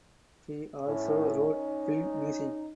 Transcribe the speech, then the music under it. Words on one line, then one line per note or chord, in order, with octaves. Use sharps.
He also wrote film music.
A2 C#4
D#4